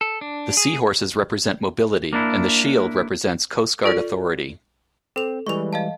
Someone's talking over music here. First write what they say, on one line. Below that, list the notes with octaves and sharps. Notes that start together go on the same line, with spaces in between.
The seahorses represent mobility and the shield represents Coast Guard authority.
A4
D4
G#4
A#3 D4 E4
F4 A4 D5
C4 A4 F7
E3 G3 G#3 C#6 F7
D#5 F5 A5